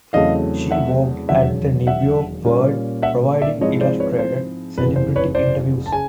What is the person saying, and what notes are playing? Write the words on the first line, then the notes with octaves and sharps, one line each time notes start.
She worked at the "New York World", providing illustrated celebrity interviews.
E2 C#3 F#3 A3 C4 D#5 F5
E5 F#5
E1 D#2 C#3 F#3 E5 F#5
E5 F#5
A#2 G3 A#3 C#4
E5 F#5
D5 E5
G#2 F3 G#3 C4 E4 C#5 D#5
C5 D5
B4 C#5
C5
F#1 E2 C3 E3 B4
C5
B4 C#5
C5 D5
A5
C#3 G#5